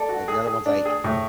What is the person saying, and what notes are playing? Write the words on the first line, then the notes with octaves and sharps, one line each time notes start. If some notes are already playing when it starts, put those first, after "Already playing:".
Like, the other one's, like,
Already playing: A4 D5
F#4
G#4
G#4
D4
G#4
A2